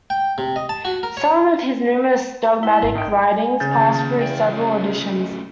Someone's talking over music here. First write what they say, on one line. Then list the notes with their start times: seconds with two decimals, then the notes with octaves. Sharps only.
Some of his numerous dogmatic writings passed through several editions.
0.10 G5
0.38 C3
0.56 D#5
0.69 A5
0.85 F#4
1.03 A#4
1.17 C#5
2.63 E4 E5 F#5 A5
2.83 G#1
2.95 D#3 G5
3.30 G#5
3.60 C#3 G6 A6
3.77 D#3 A#3 G#4
4.17 E2 E3 E5 G5
4.52 G#3 A3 C#4 F4